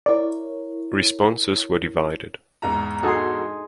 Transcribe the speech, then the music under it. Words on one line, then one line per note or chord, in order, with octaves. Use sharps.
Responses were divided.
E4 A#4 C#5 D5
E2 G#2 A#5
D#4 F#4 G#4 A4 C6